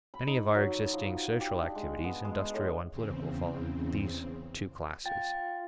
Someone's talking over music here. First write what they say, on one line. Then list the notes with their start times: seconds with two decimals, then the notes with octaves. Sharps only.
Many of our existing social activities, industrial and political, fall in these two classes.
0.14 B5
0.27 D#4
0.55 F#3
0.93 F3
1.40 G4
1.62 D4
1.75 G#3
2.04 B3
2.25 G#3
2.54 A2
2.92 E2 C#3 C4
5.06 F4 G5 A6